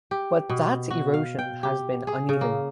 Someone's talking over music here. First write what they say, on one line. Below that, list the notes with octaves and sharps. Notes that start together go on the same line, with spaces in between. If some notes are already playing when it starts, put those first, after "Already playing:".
But that erosion has been uneven.
G4
B2
F#4
F5
G5
G4
G#4
C#3
A#3